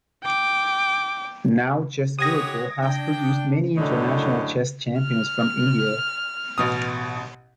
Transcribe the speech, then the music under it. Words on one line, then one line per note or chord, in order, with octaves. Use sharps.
Now Chessgurukul has produced many international chess champions from India.
G5 D6
G#3 G4 C#5 F#5 D#6 G#6 A#6
D4 G5
F#2 A2 D3 D#5
F6
A1 B2 D#6